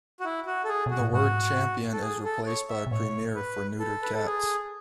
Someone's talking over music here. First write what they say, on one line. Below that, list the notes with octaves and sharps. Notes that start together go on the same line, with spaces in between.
The word Champion is replaced by Premier for neutered cats.
F#4
E4
F#4
A4
G#4
B2 F#4
A2
G#2 F#4
A4
G#4
A4
C#5
E5
B2
A2 C#5
B4
A4
B4
A4
G#4